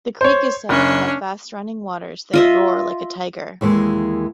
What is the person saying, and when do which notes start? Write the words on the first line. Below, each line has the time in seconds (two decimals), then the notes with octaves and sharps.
The creek is said to have fast-running waters that roar like a tiger.
0.21 C5 C#5
0.69 F#1 C#4 D4
2.33 F4 D#5 E5
3.61 D#2 E3 G3 G#3 A#3